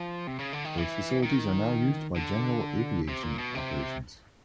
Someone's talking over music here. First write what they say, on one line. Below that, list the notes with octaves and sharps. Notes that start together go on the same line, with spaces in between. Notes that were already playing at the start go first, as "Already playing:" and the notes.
Those facilities are now used by general aviation operations.
Already playing: F3
C3
C#3
D3
D#3
E3
D#3
D3
C3
A#2
B2
C3